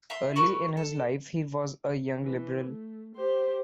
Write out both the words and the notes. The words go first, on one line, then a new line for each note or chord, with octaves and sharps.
Early in his life, he was a Young Liberal.
E5 A#5 C6
F#4 A#4 B5 C#6
A4
E3
A3
G4 C5